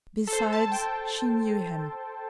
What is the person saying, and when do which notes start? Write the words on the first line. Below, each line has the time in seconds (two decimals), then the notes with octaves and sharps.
Besides, she knew him.
0.27 A4
0.33 C5
0.53 A5
0.72 G5